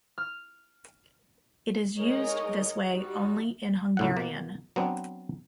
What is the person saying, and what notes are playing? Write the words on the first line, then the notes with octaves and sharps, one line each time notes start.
It is used this way only in Hungarian.
F6
G#3 D#4 G#4 A#4 C#5 D#5
G3 D#4 F#4
C#2 A2 F#5
B2 A#3
F#3 B3 C4 D4